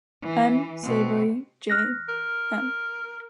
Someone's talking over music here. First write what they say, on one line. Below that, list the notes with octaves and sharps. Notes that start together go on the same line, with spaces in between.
M. Savary, J.-M.
E3
B2 C4
F6 F#6 A#6
A#4